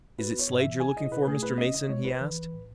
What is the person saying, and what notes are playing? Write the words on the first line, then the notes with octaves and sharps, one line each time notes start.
"Is it Slade you're looking for, Mr. Mason?" he asked.
F#4 B4
B3
C#5
G#2
E5
E3
G#4 G#5
E4 D#5
B2 B4
A3 G#4
G#4 B4
C#4 D#5
C#3 D#5
G#3 C#5
B1 B4
E3
B1
A2